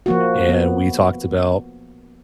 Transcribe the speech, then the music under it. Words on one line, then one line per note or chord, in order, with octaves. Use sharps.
and we talked about,
F3 A#3 F#4
B3